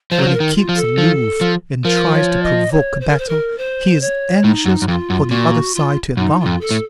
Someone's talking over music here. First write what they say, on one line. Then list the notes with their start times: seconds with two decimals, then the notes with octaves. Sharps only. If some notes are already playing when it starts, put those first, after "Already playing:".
When he keeps aloof and tries to provoke a battle, he is anxious for the other side to advance.
0.11 F3 C5
0.19 F#3
0.27 F3
0.33 A#4
0.40 D#3
0.55 F4
0.69 F3
0.76 A4
0.98 F3
1.41 F3
1.84 F3 A#4
2.13 C#5
2.42 D#5
2.71 C#5
3.00 C5
3.09 A#4
3.18 C5
3.28 A#4
3.58 C5
4.01 C#5
4.44 A2 D#4
4.65 F#2
4.82 F#2
4.88 F2 F4
5.10 F#2
5.31 A#2 F#4
5.74 F4
6.17 F#2 D#4
6.40 F4
6.46 F2
6.61 A4
6.71 A2